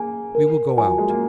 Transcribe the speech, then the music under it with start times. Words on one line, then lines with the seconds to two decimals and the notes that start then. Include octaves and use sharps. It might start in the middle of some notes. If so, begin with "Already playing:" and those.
We will go out.
Already playing: A#3 G#4 G#5
0.35 A#4
0.77 F3 G#5
0.87 F#3
0.98 G#3
1.10 A#3